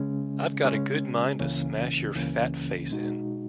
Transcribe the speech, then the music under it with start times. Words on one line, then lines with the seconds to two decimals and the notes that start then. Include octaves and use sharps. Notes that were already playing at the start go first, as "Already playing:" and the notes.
I've got a good mind to smash your fat face in!
Already playing: C#3 G#3 C#4
0.65 C#3 G#3 C#4
1.40 C#2 C#3 E3 A#3 C#4
2.15 C#2 C#3 E3 A#3 C#4
2.91 B2 G#3 D#4 F#4